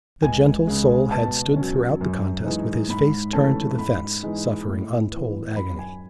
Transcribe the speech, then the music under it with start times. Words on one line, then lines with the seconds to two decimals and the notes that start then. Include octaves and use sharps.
The gentle soul had stood throughout the contest with his face turned to the fence, suffering untold agony.
0.22 C#2 G#5
0.67 C#3 G#3
1.11 B2 A5
1.56 F#3 C#4
2.01 F#2
2.44 E3 G#3 D#4
2.89 G#2 B5
3.33 E3 A3 C#4 A5
3.78 G#2 B5
4.23 E3 G#3 D#4
4.67 A2
5.12 E3 B3
5.56 F#2 B5
5.79 G#5